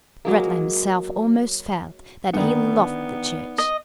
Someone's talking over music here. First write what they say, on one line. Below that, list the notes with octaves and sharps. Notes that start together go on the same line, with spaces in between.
Ratler himself almost felt that he loved the Church.
F#3 G#3 A#3
D3 D#3 B3 D#4 D5 B5
D#5